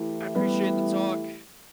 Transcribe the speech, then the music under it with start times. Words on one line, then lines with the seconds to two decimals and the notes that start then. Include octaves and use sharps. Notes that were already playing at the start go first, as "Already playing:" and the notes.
I appreciate the talk.
Already playing: E3 A3 E4 G4
0.35 G3 B3